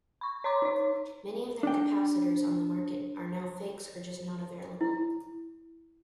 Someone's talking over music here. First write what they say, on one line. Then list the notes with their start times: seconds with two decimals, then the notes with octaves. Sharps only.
Many of their capacitors on the market are now fakes or just not available.
0.21 B5 C#6
0.44 C#5 A#5 C6 D6
0.62 D#4 C#5
1.63 D4 G5
4.81 E4